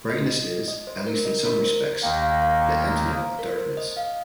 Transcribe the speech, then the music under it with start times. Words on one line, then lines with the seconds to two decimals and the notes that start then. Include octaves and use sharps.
Brightness is, at least in some respects, the antonym of darkness.
0.10 D#5
0.30 D#5
0.68 D#5
0.87 C5
1.07 A#4
1.25 D#5
1.46 A#4
1.64 C5
2.03 D#2 D#3 A#3 G5
2.22 F5
2.42 F5
2.61 G5
2.80 F5
3.00 F5
3.19 C5
3.39 A#4
3.58 C5
3.77 D#5
3.97 F5